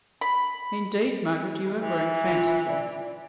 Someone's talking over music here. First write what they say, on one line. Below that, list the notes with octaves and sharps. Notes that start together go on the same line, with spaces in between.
'Indeed, Margaret, you are growing fanciful!
B5
E3
F4
D5